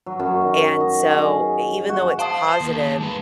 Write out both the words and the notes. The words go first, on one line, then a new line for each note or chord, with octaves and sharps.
And so, even though it's positive,
F#3
F#2
D#3
D#5
G#4
F#4
C5 F5 A5 D#6
D#2
G#3 B4